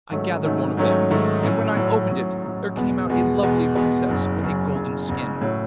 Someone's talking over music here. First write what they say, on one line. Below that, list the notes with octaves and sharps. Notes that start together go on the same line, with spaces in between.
I gathered one of them, and when I opened it there came out a lovely princess with a golden skin.
G#2 D#3 F#3 A3 C#4
G#2 D#3 F#3 A3 C#4
G#2 D#3 F#3 A3 C#4
G#2 D#3 F#3 A3 C#4
A2 F#3 C#4
A2 F#3 C#4
A2 F#3 C#4
A2 F#3 C#4
E2 B2 G#3 B3
E2 B2 G#3 B3
E2 B2 G#3 B3
E2 B2 G#3 B3
F#1 F#2 C#3
F#1 F#2 C#3
F#1 F#2 C#3
F#1 F#2 C#3
A2 F#3 C#4